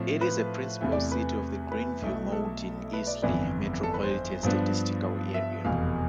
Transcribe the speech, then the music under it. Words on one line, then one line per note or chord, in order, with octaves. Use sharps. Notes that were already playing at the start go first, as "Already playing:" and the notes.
It is a principal city of the Greenville-Mauldin-Easley Metropolitan Statistical Area.
Already playing: A2 F3 C4 E4
B4
E2 C3 E3 A3
D5
B4
B4
B1 B2 A3 E4
A4
B4
D5
G1 F2 E3 B3 E4 D5
A4
B4
C5
G2 F3 B3 D4
E5
F1 E2 B2 F5